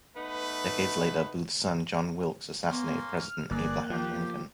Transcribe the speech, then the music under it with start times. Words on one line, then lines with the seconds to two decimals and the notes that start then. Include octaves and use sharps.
Decades later, Booth's son, John Wilkes, assassinated president Abraham Lincoln.
0.16 A3 B3 D#4 B4
2.70 A#3 B3 C#4 C6
3.14 F6
3.51 G1 A#3 G#4 D5 F#6
3.90 F3 G4